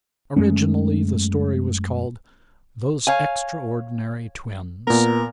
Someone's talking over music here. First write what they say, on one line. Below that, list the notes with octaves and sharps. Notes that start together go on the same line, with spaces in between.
Originally the story was called THOSE EXTRAORDINARY TWINS.
F#2 G#3 A3 C#4
C#5 F5 G#5
A#2 B3 A#4